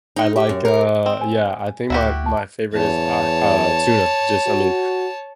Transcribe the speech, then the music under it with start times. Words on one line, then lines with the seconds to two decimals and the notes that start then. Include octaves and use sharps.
I like, uh yeah, I think my my favorite is, uh uh, tuna, just I mean,
0.16 D#4
0.36 G4
0.49 F#2
0.65 A#4
1.06 C4
1.21 G#5
1.90 D2 E4 F#4 G4
2.26 A5
2.74 E2 C#5 A5
4.46 F#4